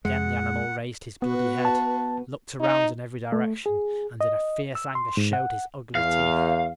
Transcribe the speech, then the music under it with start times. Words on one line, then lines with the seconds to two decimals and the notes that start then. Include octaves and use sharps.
Then the animal raised his bloody head; looked around in every direction, and in fierce anger showed his ugly teeth.
0.05 F2 G#3 F#5
1.22 B3 F#4 B4
1.65 A5
2.60 D#4
3.32 A3
3.66 G#4
4.21 D#5
4.75 E6
4.95 C6
5.17 G#2
5.33 F#5
5.95 E2 F5